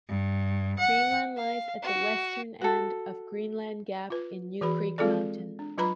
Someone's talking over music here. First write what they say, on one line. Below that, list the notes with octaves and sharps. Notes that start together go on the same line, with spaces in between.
Greenland lies at the western end of Greenland Gap in New Creek Mountain.
G2
F#5
F5
F#4
F#4 A4
F4 B4
E3 F#4 G#4 B4 B5
G#3 C4 F4 G#4 A4 D5
D4
F#3 F4 B4 A#5 B5